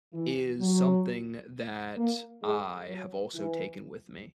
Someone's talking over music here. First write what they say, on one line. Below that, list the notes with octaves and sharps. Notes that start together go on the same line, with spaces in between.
is something that I have also taken with me,
E3
F#3
A#3
G#3
F#3
E3